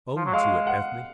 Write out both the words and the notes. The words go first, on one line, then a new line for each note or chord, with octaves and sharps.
Own to it, Ethne!
F3
F#3
G#3 F5
F#5